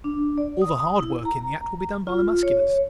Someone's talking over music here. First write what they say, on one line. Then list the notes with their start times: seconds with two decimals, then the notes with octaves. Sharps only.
All the hard work in the act will be done by Musculars.
0.04 D4
0.38 D5
0.62 D#6
1.01 E4
1.25 A#5
2.07 F4
2.43 C#5